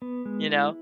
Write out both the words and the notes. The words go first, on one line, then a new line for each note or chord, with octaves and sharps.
you know?
B3
G#3
E4